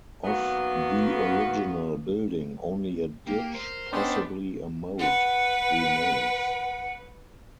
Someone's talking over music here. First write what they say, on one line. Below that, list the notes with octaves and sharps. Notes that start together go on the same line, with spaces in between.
Of the original building only a ditch, possibly a moat, remains.
D#3 F#3 A#3 B3
A#3 G4
A#4 C5
B3 C#4 D4 D#5 G5 C6
B4 F#5